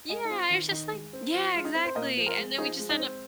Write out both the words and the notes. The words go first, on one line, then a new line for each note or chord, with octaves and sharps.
Yeah, it's just like Yeah, exactly, and then we'd just end up
G#3 D#5 G#5
D#4
C4 F4
D#3 F4
D#3 D#4
G#3
C4
F3 F4
G#3 F4
D#4
C4
C5
A#2 A#4 D#5
F3
F4 A#4
G#3
F3 D#4 G#4
G#3
D#4
C4